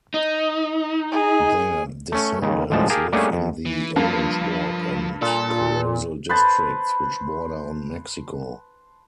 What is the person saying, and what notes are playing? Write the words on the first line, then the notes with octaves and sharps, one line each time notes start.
Their descendants live in the Orange Walk and Corozal districts, which border on Mexico.
D#4
G#4
A3 C#4
D#2 C#3
A1 G#2 F3 G3 G#3 A5
G4 G#4 A#4 F5 A5
G3 A3 A#3 C#4 D4 G#4
F2
E3
G2 F3 A#3
A#2 A4
B4 C5 A5